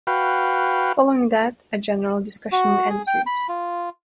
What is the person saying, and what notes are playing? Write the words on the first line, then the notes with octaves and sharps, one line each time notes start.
Following that a general discussion ensues.
F#4 B4 F5 G5
F#4
G#4
G5
B5
F4